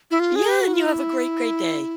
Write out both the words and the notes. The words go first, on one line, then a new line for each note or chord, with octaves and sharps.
Yeah, and you have a great great day.
E4
F4
G#4
G4
F#4
F4
E4